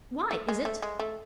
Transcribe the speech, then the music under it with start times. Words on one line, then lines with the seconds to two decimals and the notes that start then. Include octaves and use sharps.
"Why? is it--?"
0.31 A3
0.49 G#3
0.65 A3
0.82 G#3
0.99 A3